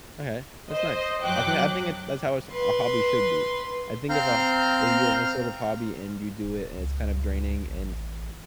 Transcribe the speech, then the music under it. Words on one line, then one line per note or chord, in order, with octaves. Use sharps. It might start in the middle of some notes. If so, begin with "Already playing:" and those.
Okay, that's nice. I think I think it's that's how a s a hobby should be. I think of a if you have a sort of hobby, and you do it, and it's kind of draining, and
C5 D#5
F#2 F#3 G5 D6 F#6
B4 C6
C4 F5 A#5 F6 G6
D#1
C#2
A1